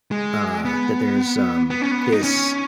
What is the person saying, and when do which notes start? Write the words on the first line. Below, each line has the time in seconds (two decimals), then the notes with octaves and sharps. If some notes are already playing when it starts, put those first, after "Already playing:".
uh, that there's, um, this
0.11 G#3
0.65 B3
1.70 B3
1.82 C#4
1.91 B3
2.12 D#4
2.24 C#4